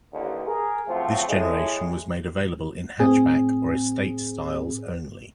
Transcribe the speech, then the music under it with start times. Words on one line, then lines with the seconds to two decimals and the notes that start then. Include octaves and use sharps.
This generation was made available in hatchback or estate styles only.
0.13 A1 D#2 D3
0.47 G#4 A#4
0.88 C#3 F3 F#3 A3 C4 F4
1.28 A2 G#3
3.00 A2 C4 G#4